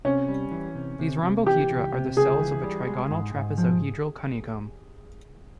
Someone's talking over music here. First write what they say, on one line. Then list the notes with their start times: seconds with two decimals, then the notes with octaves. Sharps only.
These rhombohedra are the cells of a trigonal trapezohedral honeycomb.
0.05 C3 C#4
0.28 G3
0.51 E3
0.75 C3
0.99 C3
1.23 C3
1.46 E3 G4
1.69 C#2
1.93 C3
2.17 C#2 G#4
2.40 E3
2.63 G3
2.87 G#3
3.11 G#2
3.34 G#2
3.58 F3